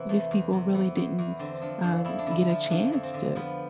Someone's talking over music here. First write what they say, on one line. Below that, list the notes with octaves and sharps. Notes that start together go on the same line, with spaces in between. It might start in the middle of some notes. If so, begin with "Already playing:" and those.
these people really didn't, um, get a chance to
Already playing: C3 E3 B3
E2 A3
E2
C3
E3 B3
E2
E2
D3 C4
F3 D4
F2 D4
F2 E4
D4
D3 E4
F3
F2 D4
F2
C4
D3
F3 B3